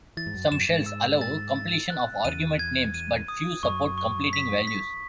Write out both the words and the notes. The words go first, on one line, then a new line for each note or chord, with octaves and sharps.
Some shells allow completion of argument names, but few support completing values.
E3 A6
G#2
F#2
F#2 E7
G#2
E6
A6
A6
F#6
E2 D#7
G#6
D#7
D#6
F#2 C#6
C#6
B6
B6